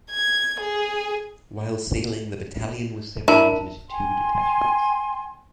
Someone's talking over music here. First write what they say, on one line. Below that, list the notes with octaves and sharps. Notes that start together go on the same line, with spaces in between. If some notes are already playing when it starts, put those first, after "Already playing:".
While sailing the battalion was separated into two detachments.
G#6
G#4
D4 E4 A#4 A5
G5 G#5 C6